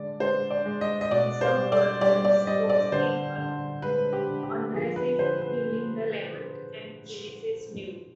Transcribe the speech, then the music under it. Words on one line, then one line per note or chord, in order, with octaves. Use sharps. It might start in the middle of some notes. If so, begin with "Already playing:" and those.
In some productions Foreskin undresses during the lament and finishes nude.
Already playing: D3 G#3 D5
G#3 C5
D5
G#3
D#5
D#5
B2 D5
C5
G3
D5
G3 D5
D5
G3 D#5
D5
D3 C5
D3
G#3 B4
G4
D3
G4
F3 G#4
B4
D3 C5
B4